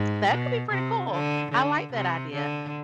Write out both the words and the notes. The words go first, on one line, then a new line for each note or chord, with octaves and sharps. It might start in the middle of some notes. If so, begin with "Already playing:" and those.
That could be pretty cool. I like that idea.
Already playing: G#2
B2
C3
D3
D3
C3
D3